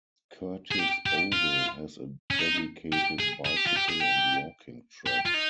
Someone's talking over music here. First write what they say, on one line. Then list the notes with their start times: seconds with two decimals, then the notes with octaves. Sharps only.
Curtis Oval has a dedicated bicycle and walking track.
0.71 G#4
0.79 G4
1.06 G4
1.33 F4
2.31 C#4
2.39 D#4
2.93 G4
3.20 G#4
3.46 G#4
3.57 G4
3.67 F4
3.77 G4
3.89 G#4
4.01 G4
5.07 G4
5.26 F4
5.34 D#4